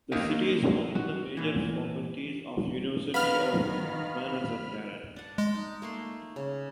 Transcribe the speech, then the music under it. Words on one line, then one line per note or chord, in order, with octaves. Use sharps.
The city is home to the major faculties of the University of Mazandaran.
A#3 D#4 G4 A#4 D#5 F5
F#4
A#2 E3
D#3 B3 F5 B5 F6
D4 F#5
G#3
D#4
A3 A#3 C6
C#3